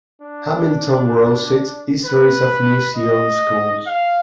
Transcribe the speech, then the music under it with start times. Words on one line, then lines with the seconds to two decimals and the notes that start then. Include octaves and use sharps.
Hamilton wrote six histories of New Zealand schools.
0.22 D4
2.05 B4
2.97 D#5
3.88 F5